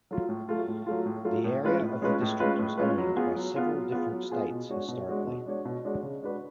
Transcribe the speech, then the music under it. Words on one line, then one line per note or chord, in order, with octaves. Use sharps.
The area of the district was owned by several different states historically.
F#3 A3 F4
A2
F#3 A3 F4
A2
F#3 A3 F4
A2
F#3 A3 F4
A2
G#3 C#4 F4 B4
A2
G#3 C#4 F4 B4
A2
G#3 C#4 F4 B4
A2
G#3 C#4 F4 B4
F#3
B3 F4 G#4
F#3
B3 F4 G#4
F#3
B3 F4 G#4
F#3
B3 F4 G#4
B2
G#3 D4 F#4 C#5
B2
G#3 D4 F#4 C#5
B2
G#3 D4 F#4 C#5
B2
G#3 D4 F#4 C#5
C#3
G#3 D4 F#4 B4